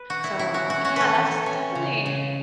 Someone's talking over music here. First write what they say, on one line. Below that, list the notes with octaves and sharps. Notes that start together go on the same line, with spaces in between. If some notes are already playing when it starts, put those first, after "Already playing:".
So, yeah, that's definitely
Already playing: B4
F#4
B3 E4
E4
C#4 F#4
F#4
C#4 F#4
A4 B4
E3
C#4
C#3
C#3